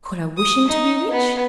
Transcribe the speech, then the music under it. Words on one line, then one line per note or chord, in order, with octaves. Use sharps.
Could I wish him to be rich?
D#6
D#4
B3